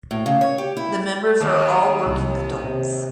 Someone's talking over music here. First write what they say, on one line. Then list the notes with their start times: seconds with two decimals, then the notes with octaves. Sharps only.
The members are all working adults.
0.11 A2
0.26 C#3
0.41 C#5
0.58 G4
0.77 E4
1.41 D#2
2.06 C2
2.64 C3